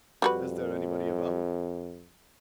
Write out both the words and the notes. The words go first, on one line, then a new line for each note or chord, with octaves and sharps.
"Is there anybody above?"
F2 G3 F#4 B4